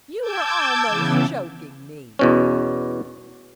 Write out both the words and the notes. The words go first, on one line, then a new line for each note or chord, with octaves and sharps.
You are almost choking me!
A5 D6 E6 G6 G#6
C#3 E3 B3
E2 B2 C#4